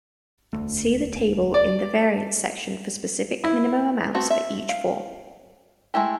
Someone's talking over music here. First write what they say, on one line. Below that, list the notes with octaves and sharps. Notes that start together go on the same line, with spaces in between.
See the table in the variants section for specific minimum amounts for each form.
E1 D2 A3
D5
E4
A3 B3 C4 F#4
E5
F5
G#3 A3 E4 G4